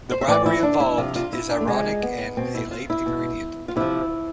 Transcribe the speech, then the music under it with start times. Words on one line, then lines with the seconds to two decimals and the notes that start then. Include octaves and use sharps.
The bribery involved is ironic and a late ingredient.
0.11 C5
0.21 E5
0.28 A2 E3 D5
0.46 E4
0.63 D4
0.80 E4
0.97 C3 F3 F4
1.15 F4
1.33 E4
1.50 D4
1.61 A3
1.67 C3 F3 G#3
2.02 B3
2.37 B2 C4
2.55 E4
2.71 F4
2.90 E4
3.06 B2
3.68 F4
3.76 C3 F3 E4